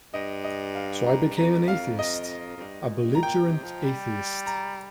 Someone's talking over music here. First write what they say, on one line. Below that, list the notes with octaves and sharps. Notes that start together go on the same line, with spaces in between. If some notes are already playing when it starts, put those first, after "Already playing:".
So I became an atheist, a belligerent atheist.
G2 D#5
D#5
F5
A#5
F2 A#5
F5
D#5
F2
G2
A#2
G2
A#5
A#2 G5
C3
F3
G3
A#5